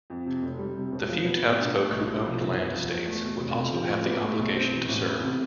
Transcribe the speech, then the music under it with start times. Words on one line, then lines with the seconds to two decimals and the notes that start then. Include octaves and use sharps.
The few townsfolk who owned land estates would also have the obligation to serve.
0.10 F2
0.26 C3
0.43 F1
0.59 G3
0.76 C3
0.92 E1
1.09 F3
1.25 B3
1.42 A2
1.58 D4
1.75 A3
1.91 B1
2.08 E4
2.24 F3
2.41 C2
2.57 B3
2.74 F3
2.90 E2
3.07 A3
3.23 B2
3.40 F1
3.57 F1
3.73 F3
3.89 A1
4.06 B3
4.22 A3
4.39 B1
4.55 C4
4.72 E3
4.88 A1
5.05 B3
5.21 C3